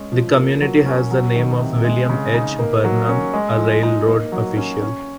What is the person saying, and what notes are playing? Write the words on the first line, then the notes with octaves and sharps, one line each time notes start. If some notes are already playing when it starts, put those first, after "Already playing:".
The community has the name of William H. Barnum, a railroad official.
Already playing: G#3 C#4
F3
A#3
F#3
C#4
F#3
D#3
C3
G#3
C#3
D#4
A#3
F#3
C#4
G#3
F3
D#4
A#3
F#3
C#4
C#4